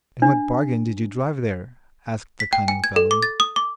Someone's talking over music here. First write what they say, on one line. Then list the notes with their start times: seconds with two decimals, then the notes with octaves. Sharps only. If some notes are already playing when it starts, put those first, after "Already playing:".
'And what bargain did you drive there?' asked the cunning fellow.
0.22 D4
2.40 B6
2.53 G5
2.68 G#5
2.84 G#6
2.96 A4
3.11 D6
3.23 A6
3.40 D#6
3.56 D6